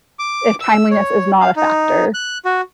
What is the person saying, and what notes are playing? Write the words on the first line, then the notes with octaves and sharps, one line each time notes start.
if timeliness is not a factor
D6
E6
C#5
F5
D#4
F#6
F#4